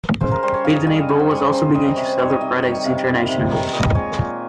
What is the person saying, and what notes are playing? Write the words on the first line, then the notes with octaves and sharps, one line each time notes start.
Pitney Bowes also began to sell their products internationally.
C#3 C5
A#4
G3 C5
C#5
C#3 F5
D#5
G3 F5
D#5
C#3 C#5
C5
G3 C#5
C5
C#3 C5
G3 D#5
C3 C#5
C5
D#3 G3 C#5
D#5
C3 D#5
C#5
D#3 G3
C3 F5
D#3 G3
C3
D#3 G3
A#2 D#5
G#3 C#5
A#2